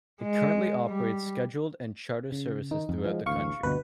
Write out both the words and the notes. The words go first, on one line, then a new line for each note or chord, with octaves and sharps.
It currently operates scheduled and charter services throughout the country.
G#3
G3
C#3
D#3 D#4
F2
F3 F#3 G#3
A1 D2 F5 C#6
G1 D2 B2 B4